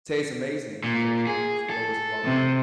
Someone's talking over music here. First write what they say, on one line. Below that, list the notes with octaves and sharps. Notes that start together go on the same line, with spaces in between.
tastes amazing, but it's the it's the lowest quality.
A#2
G#4
A4
C3